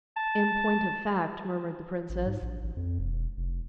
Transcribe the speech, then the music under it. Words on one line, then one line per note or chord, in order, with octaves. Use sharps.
"In point of fact," murmured the princess...
A5
A1
G#2
A#1
A1
F2
E1
F1